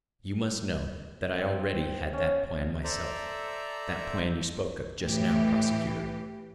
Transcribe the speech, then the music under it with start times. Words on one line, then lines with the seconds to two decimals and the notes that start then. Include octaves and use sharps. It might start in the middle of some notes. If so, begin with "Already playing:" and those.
You must know that I already had that plan myself, that plan you spoke of, just now, prosecutor!
1.38 C4 G5
2.13 C#4 F5
2.84 A4 C5 D5 E5 A#5
5.03 A2 E3 G4